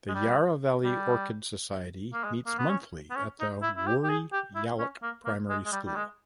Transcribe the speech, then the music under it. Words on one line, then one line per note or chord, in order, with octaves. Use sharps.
The Yarra Valley Orchid Society meets monthly at the Woori Yallock Primary School.
G#3
G3
G3
A#3
G#3
A#3
B3
C#4
B3
C#4
D#4
E4
E4
G4
G4
G#4
G4
E4
C#4
A#3
A#3
G#3
G#3
G3
G3
G#3